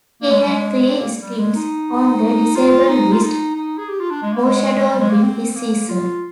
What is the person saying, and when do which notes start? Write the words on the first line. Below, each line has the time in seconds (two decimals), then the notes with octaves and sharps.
He had three stints on the disabled list, foreshadowing his season.
0.22 A#3
0.31 G#3
0.40 G3
0.49 G#3
0.89 C4
0.99 A#3
1.22 G3
1.39 G#3
1.55 D#4
2.55 F4
2.88 D#4
3.12 F4
3.22 D#4
3.55 D#4
3.78 G#4
3.88 G4
4.00 F4
4.11 D4
4.22 G#3
4.33 A#3
4.45 G#3
4.88 G3
5.00 G#3
5.10 A#3
5.22 C4
5.55 A#3
5.88 F4